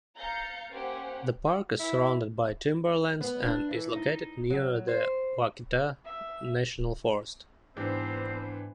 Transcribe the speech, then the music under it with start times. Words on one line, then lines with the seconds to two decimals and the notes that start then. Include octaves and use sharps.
The park is surrounded by timberlands and is located near the Ouachita National Forest.
0.17 F5 A#5 G6 A6 C#7
0.71 A#3 C#4 G4 C5 F#5 G5
1.79 E4
3.21 B3
3.43 D4
3.71 E3
3.92 D#4
4.50 F#3
4.88 C5
6.04 E5
7.77 G#2 E3 B3 C4 D4 G4 C5